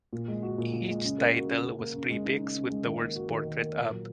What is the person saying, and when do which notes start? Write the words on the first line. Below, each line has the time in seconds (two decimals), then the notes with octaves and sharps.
Each title was prefixed with the words "Portrait of".
0.13 A#2
0.28 G#3
0.43 F#4
0.58 A#2
0.73 A#2
0.88 G#3
1.04 C#3
1.18 A#3
1.34 F#4
1.49 C#3
1.64 C#3
1.79 A#3
1.94 C#3
2.10 G#3
2.25 D#4
2.40 C#3
2.55 C#3
2.70 G#3
2.85 D#3
3.00 A#3
3.16 F#4
3.30 D#3
3.45 D#3
3.61 A#3
3.76 A#2
3.91 F#3